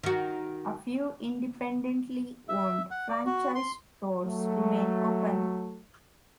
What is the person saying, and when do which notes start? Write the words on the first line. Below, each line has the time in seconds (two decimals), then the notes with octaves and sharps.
A few independently owned franchise stores remain open.
0.03 D#3 F#4
2.49 E5
2.91 F#5
3.09 D5
3.26 F#4
3.55 C6
4.23 F#3 A3